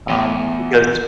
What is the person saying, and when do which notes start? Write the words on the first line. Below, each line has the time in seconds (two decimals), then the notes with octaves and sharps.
um, because
0.09 E2